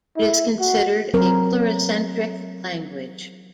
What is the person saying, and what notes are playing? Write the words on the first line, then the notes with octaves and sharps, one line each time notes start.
It is considered a pluricentric language.
E4
F#4
F#3 C4 A#4